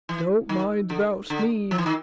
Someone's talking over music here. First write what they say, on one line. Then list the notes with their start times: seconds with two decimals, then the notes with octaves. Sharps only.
Don't mind about me.
0.09 E3
0.49 D#3
0.90 D3
1.30 D3
1.71 F3
1.78 E3
1.86 D#3